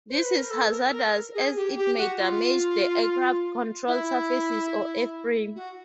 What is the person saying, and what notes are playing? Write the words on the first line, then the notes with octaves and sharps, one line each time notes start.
This is hazardous as it may damage the aircraft control surfaces or airframe.
C5
B4
A#4
A4
A#4
A#4
G#4
G4
G4
F#4
F4
E4
F#4